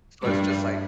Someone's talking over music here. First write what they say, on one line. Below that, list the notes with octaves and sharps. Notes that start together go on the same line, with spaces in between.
So, it's just, like
G2 G3